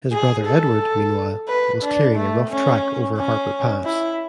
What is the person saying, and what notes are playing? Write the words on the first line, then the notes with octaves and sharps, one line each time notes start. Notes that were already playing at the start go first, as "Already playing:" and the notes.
His brother Edward, meanwhile, was clearing a rough track over Harper Pass.
G#4
A4
B4
D4
A3
C#4
C#4
E4